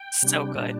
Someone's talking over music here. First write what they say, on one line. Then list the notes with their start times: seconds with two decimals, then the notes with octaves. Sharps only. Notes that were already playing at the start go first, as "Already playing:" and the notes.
So good.
Already playing: G5
0.23 C3 G3 D4
0.55 A#2 G3 D4 A5